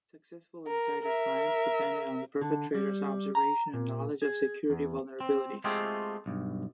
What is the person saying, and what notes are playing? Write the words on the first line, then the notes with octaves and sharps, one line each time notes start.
Successful insider crimes depended on the perpetrators' observation and knowledge of security vulnerabilities.
A#4
A#4 E5
D3
G3
A#5
A#2
G#4
E2
C4
G#3 A3 C4 F4 G4 G#4
B1 G2